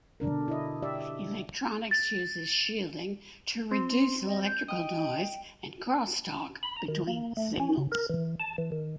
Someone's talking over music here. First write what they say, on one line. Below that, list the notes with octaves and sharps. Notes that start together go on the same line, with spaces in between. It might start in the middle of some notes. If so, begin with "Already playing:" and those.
Electronics uses shielding to reduce electrical noise and crosstalk between signals.
B2 D3 D4 A#4
E4 D#5
G4 D5 E5
A6
C4 C6
D#5
G6
D#5 G5
B5
A#5
D#3
A#3
A3
C#4
C#3
A#4
E3
A5
E3
D#3